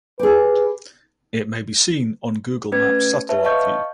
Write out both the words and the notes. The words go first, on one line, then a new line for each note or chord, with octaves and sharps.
It may be seen on Google maps satellite view.
G4 G#4 B4
A3 C#4 B4 G#6
B4 C#5 E5 A5
D#5 F5 A5 C#6 G6